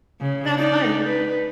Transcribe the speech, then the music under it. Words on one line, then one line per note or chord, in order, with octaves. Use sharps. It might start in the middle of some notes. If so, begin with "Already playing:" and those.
Not fun.
C#3
D#4 D5
B4